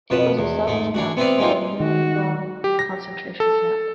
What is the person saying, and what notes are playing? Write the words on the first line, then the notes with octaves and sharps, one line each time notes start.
It was a subcamp to the Neuengamme concentration camp.
F2 B2 B4 A5
E2
G#2 A3
E3 D4 F#4
B3 C4 E4 B4 D5 F5
G#3 A#3 C4 D#4 F4
D#3 F#4
G4
A#6
A4